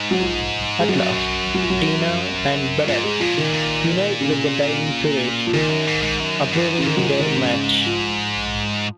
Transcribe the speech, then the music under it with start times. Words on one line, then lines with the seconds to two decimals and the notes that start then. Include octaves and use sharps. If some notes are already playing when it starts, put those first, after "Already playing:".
At last, Tina and Badal unite with the dying Suresh approving their match.
Already playing: G#2
0.11 F#3
0.21 F3
0.80 G#3
0.88 F#2 F#3
1.54 F#3
1.62 F3
1.70 F#3
2.87 G#2 F3
3.04 G#3
3.20 A#2 F3
3.37 D#3
3.54 A#2
4.20 C#3
5.47 F3
5.54 A#2 D#3
5.70 F#2
5.87 G#2
6.03 G#2
6.20 F#2
6.52 F#2
6.78 C#3
6.82 A#2
6.86 G#2 D#3
6.97 F#3
7.02 F3
7.19 D#3
7.36 C#3
7.53 C#3
7.86 F3